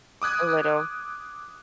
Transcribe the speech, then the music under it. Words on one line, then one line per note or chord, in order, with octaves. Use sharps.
a little.
D6 D#6 F#6 G#6